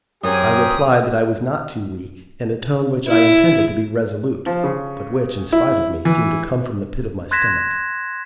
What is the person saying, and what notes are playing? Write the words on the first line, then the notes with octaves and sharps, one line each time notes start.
I replied that I was not too weak, in a tone which I intended to be resolute, but which, in spite of me, seemed to come from the pit of my stomach.
F#2 C4 G4 G#4 A#4 D#6
E4
F3
C#3
E4
E3
C6 F#6 G#6 A#6 B6 E7